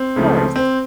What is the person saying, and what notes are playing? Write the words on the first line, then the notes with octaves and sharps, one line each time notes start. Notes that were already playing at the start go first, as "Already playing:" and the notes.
Of course.
Already playing: C4
C#2 C#3 F3 A3
C4